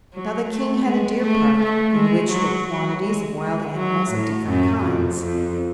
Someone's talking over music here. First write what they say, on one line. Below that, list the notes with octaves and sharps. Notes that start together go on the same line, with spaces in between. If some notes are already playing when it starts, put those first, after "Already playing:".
Now the King had a deer park in which were quantities of wild animals of different kinds.
F#3
A3
G#3
A3
A3
G#3
F#3
F#3
G#3
G#3
F#3
A2
F#2
F2
F2